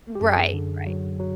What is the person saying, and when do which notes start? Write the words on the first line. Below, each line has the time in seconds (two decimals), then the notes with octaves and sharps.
Right, right,
0.15 G4
0.20 F#2 G#4
0.54 D3
0.86 F#3
1.20 F#3